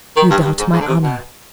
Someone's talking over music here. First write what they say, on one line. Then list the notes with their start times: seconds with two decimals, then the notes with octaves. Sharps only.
'You doubt my honour?
0.16 D#3
0.30 G2
0.45 G2
0.59 G#2
0.73 G#2
0.80 D3
0.87 C3
1.02 B2